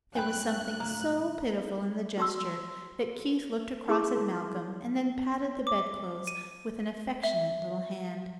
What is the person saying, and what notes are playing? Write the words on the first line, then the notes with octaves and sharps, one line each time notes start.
There was something so pitiful in the gesture that Keith looked across at Malcolm and then patted the bedclothes with an affectionate little hand.
G2 C3 G#3 B4 G5 G#5 F#6
D1 D2 G2 A#3
F#4 C6 E6
E4 G#4 C6 D6
D6
D#7
E5